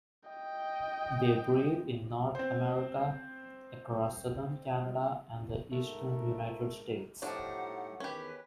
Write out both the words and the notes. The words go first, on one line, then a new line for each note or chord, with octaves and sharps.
They breed in North America, across southern Canada and the eastern United States.
D#5 G5
C4 C5
G#2 A3 A#4
A2 F3 D4 D#4 G4 F#5
E2 D#3 C#4 G4 B4